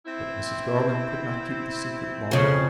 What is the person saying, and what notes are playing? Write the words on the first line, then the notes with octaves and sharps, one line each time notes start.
But Mrs. Garland could not keep the secret long.
C4 E4
F2 C#3